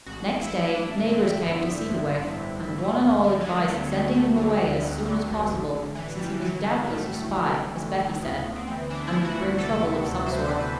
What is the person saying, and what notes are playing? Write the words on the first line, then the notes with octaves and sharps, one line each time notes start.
Next day, neighbors came to see the waif, and one and all advised sending him away as soon as possible, since he was doubtless a spy, as Becky said, and would bring trouble of some sort.
A1 F#4
A1
E4
A1
A1 D4
D3
C4
D3
G2 B3
D3
G2
A1
D3
A1
D3 A3
D2
D3
F#3
D3 G3
D2 B3
D2 A3
D2 A3
D3
D2
D2
D3
D3
A1
A1
E3
A1 G3
E3 F#3
A1 G3
A2 A3
A2
E3
E3
E3
A2
D2 B3
D2
C4
E3
E3 D4
E4
E3
F#4
D2
C3 A4
C3
D2
C3 C5
B4
E3 C5
B4